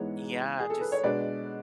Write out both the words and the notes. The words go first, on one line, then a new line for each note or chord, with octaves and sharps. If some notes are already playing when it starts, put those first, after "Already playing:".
Yeah, just
Already playing: G#2 E3 G#3 B3 C#5
G#4
A4
B4
C#5
B2 G#3 D4 B4 D5